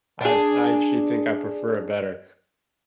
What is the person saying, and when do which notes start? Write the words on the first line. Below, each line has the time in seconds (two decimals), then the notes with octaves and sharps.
I'd I actually think I prefer it better,
0.21 D4 G#4